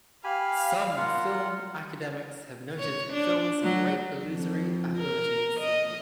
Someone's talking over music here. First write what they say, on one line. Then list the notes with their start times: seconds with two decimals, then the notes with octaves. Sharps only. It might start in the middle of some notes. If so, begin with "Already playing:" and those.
Some film academics have noted film's great illusory abilities.
0.24 G4 F5 G#5 B5
0.97 F4 A#4 F#5
2.79 C#5
3.13 D4
3.63 F#3
4.24 F2
4.97 A#4
5.60 D#5